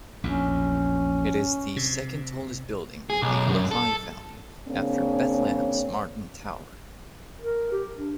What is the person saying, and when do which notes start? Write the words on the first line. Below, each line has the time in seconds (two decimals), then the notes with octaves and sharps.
It is the second tallest building in the Lehigh Valley after Bethlehem's Martin Tower.
0.24 A#1 E2 C#4
1.76 C3
3.10 G#4
3.22 B1
3.48 F#2
3.71 A4
4.68 C#3 A#3 C4 D4 C#5
7.41 A#4
7.72 G4
7.96 D4